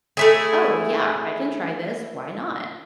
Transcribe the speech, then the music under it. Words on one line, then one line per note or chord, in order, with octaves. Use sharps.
"Oh, yeah, I can try this, why not?
A3 E4 G#4